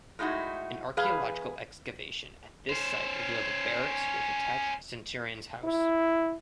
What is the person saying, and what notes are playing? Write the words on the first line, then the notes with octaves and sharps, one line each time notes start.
An archaeological excavation at this site revealed a barracks with attached centurion's house.
A2 G#3 D#4 E4 F#4
E2 G#4 B4 F5
C#4 C5
E4